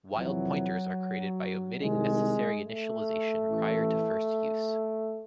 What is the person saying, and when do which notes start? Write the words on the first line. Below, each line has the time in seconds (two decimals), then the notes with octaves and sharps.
Wild pointers are created by omitting necessary initialization prior to first use.
0.13 F2 C3 E3 F#3
1.79 C2 C3 D#3 G#3
2.63 A3
3.47 A1 A2 E3